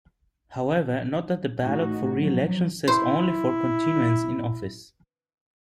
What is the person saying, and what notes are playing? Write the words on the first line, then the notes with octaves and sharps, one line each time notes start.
However, note that the ballot for re-election says only 'for continuance in office'.
A2 D#4 F#4
F3 F#3
E4 C5